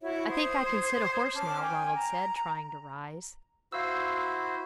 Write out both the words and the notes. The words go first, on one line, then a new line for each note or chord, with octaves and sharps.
"I think I can sit a horse now," Ronald said, trying to rise.
E4 F#4 C#5 E5
C5 D#6 G#6
C#4 A5 D6 F6
G5 G#5
A#5
E4 F#4 C5 F5 E6